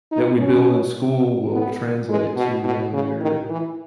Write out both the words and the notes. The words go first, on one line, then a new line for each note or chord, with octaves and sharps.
that we build in school will translate to when we're
D#4
C#4
B3
G#3
B2
B2
C#3
D#3
E3